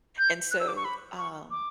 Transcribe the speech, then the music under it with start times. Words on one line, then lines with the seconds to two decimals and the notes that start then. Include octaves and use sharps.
and so, um,
0.18 G6
0.51 F#6
0.60 E6
0.68 D6
0.77 C#6
0.85 B5
1.17 C#6
1.51 D6